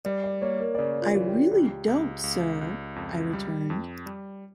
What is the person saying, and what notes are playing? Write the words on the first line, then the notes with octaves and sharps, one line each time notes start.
"I really don't, sir," I returned.
G3 D5
D5
A#3 C#5
A#4
D5
C#3 C#5
F4
E3
G4
C#2 G4
C#2
C#2
C#2
F2
G3
F2
G3